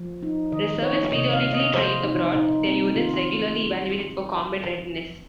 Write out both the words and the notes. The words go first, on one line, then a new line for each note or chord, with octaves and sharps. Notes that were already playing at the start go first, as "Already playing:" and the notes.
Reservists periodically train abroad, their units regularly evaluated for combat readiness.
Already playing: F3
D#4
D#3 D#5
A#3 C#5
C3 D#5
F5
A#3
D#5
F3 C5
D#4
A#2 D#4
C4
D#3 F4